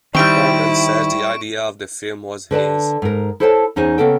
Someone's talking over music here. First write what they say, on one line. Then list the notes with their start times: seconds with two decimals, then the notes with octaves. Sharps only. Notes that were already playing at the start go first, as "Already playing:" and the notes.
Corman says the idea of the film was his.
0.15 D#3 G3 C4 E4 C#6 D7
2.51 D3 B4 D5 A5
3.02 G#2 A#4
3.40 E4 A4 C5 C#5 G#5 A5
3.76 E2 C#4 D#4 G#4 C5 G#5
3.98 C#3 A#3 B3 A4 G5